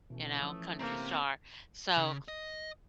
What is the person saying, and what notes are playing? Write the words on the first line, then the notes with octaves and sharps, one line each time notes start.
you know, country star." So,
B2 E3 A3 C#4
F3 D#6 E6
C3 A#3 C4 A#5
C#3
D#5